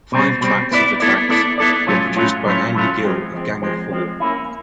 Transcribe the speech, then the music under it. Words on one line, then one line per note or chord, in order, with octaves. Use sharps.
Five tracks of the tracks were produced by Andy Gill of Gang of Four.
B2 G3 C4
B2 G3 C4
B3 E4 A4 D5
B3 E4 A4 D5
B3 E4 A4 D5
B3 E4 A4 D5
A2 F#3 A3 C#4 F4
A2 F#3 A3 C#4 F4
A2 F#3 A3 C#4 F4
A2 F#3 A3 C#4 F4
F3 G#3 C4
F3 G#3 C4
F3 G#3 C4
F3 G#3 C4
A#3 C#4 E4